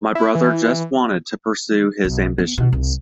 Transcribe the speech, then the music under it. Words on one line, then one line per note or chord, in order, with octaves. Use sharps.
My brother just wanted to pursue his ambitions.
E4
E3
B1
B3
B2
C2